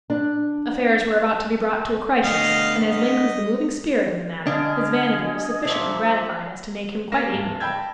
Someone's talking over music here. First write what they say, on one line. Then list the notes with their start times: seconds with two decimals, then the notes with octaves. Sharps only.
Affairs were about to be brought to a crisis, and as Link was the moving spirit in the matter, his vanity was sufficiently gratified as to make him quite amiable.
0.10 D4
2.23 A3 B3 D4 D#5 F5
2.90 D#5
4.47 D3 D4 D#5 F5 G#5
5.65 A#2 F3 E5
7.12 A#3 F5 A#6 E7
7.33 D1 A5
7.60 G5 A5 B5 E6 G6 G#6